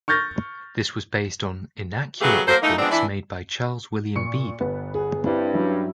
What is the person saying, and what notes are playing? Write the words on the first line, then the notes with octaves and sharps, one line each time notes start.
This was based on inaccurate reports made by Charles William Beebe.
C#6 F6 G6 A6 A#6
C#3 F#3 A3 B3 G4 G#4
F#3 A#3 A4 C5
E3 A3 A#3 D#4
F3 G#3 B3 C4 D4
E3 D4 E4
A#2 C#6 C#7
G1 B3 B4
G#4
G2 C4 D4 E4
F#3 C#4 E4